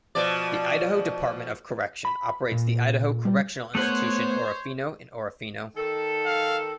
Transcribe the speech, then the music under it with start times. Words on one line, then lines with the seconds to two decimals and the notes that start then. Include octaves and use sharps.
The Idaho Department of Correction operates the Idaho Correctional Institution-Orofino in Orofino.
0.15 B2 F3 D5
2.05 B5
2.52 A#2
3.25 G3
3.75 A3 B3 C5 C#5 F#5
5.76 D#3 A4
6.26 F5